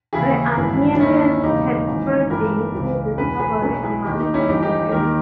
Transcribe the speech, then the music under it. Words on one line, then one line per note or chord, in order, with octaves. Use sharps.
The Athenians had spread the useful discovery among the nations.
D#2 C#3 E3 E4 G#4
G#1 G2 E3
D#2 D#3 C#4 E4
E1 D#2 C#3 D#4 G4
G#1 G#2 E3
G1 G2 E3 G4 A#4
C#2 C#3 E3
E1 E2 B2 G#4 B4
G#4 B4
B1 B2 G#4 B4
E4 G#4
D#2 D#3 D#4 G4
D#4 G4
C#4 E4
G1 G2 E3 D#4 G4
D#4 G4
D#2 D#3 G4 A#4